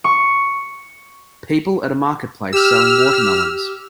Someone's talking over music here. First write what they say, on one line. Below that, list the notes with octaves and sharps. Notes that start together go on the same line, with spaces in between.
People at a marketplace selling watermelons.
C#6
G4 E6 F6